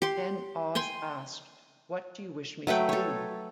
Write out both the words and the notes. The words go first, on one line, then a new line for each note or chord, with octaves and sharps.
Then Oz asked, "What do you wish me to do?"
G4 C6
G5 G#5 C6
F#3 A3 B4 G5
A4 C#5